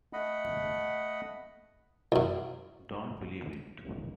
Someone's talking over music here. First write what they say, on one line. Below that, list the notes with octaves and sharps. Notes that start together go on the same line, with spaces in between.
Don't believe it.
A3 D#5 F#5 B5
C2 F#2